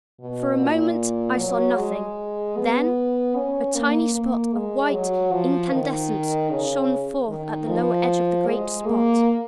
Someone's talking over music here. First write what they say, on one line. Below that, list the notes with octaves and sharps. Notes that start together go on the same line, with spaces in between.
For a moment I saw nothing--then a tiny spot of white incandescence shone forth at the lower edge of the great spot.
B2
A#2
F#3
G#3
B3
C#4
A#3
A#3
G#3
F#3
F3
D#3
C#3
D#3
F3
G#3
A#3